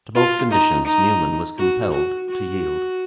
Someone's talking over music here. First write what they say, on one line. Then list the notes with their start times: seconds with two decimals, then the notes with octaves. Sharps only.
To both conditions, Newman was compelled to yield.
0.15 F4
0.51 D#4
0.86 D#4
1.58 F#4
1.93 F#4
2.29 F#4